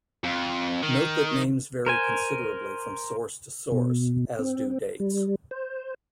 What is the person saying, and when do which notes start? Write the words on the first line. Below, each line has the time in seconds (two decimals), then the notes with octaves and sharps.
Note that names vary considerably from source to source, as do dates.
0.24 F2
0.82 D#3
1.86 A#4 C5 G#5
3.72 B2
4.39 C4
5.00 G3
5.51 C5